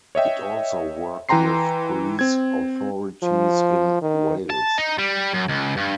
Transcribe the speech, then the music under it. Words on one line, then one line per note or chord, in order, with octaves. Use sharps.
It also worked with police authorities in Wales.
C#5 D#5 E5 G5
E3 B4 G5 A#5 C6 C7
C4 G#6
F3
D#3
A5
D#4
G3
F#2
C#2
G2